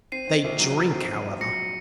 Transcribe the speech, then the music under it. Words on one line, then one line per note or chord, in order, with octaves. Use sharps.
They drink, however.
C4 C7 D#7
C4
A#1
F#3
F#3
C4
F#3
A#1
F#3 A#6 C#7